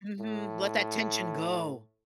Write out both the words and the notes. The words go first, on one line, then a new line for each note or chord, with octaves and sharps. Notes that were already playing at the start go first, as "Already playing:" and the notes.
Mhm, let that tension go.
A2